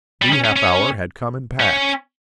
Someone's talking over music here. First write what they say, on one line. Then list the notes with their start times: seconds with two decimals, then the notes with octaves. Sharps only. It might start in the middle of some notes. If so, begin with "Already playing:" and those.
The half-hour had come and passed.
0.22 G3
0.33 C#4
0.45 C#4
0.56 C#4
1.60 C#4